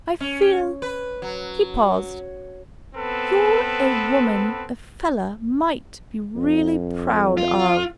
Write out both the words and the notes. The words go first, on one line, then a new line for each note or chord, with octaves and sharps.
I feel'--he paused--'you're a woman a fellah might be really proud of.'
C#4
B4
F#3
B3 C4 A4 B4
F2
F4